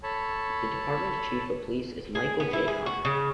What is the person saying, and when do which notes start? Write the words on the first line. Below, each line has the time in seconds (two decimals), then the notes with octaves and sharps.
The department's Chief of Police is Michael J. Conner.
0.03 A4 C#5 A5 B5
2.15 G#4
2.40 B3
2.53 E4
2.68 G#4
2.86 F#4
3.05 C#3